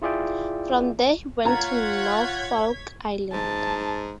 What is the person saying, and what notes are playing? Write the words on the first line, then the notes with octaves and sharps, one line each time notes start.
From there he went to Norfolk Island.
E4 F4 G#4 D5 E5 G5
F4 C#5 F#5 A#5 G#6 B6
G#2 A5